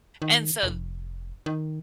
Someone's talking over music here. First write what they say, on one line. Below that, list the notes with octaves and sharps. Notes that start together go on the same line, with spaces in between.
and so
D#3
F1
D#3